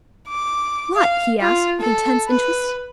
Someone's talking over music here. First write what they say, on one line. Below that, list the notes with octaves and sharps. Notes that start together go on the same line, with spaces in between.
"What?" he asked, with intense interest.
D6
F5
F4
A4
B4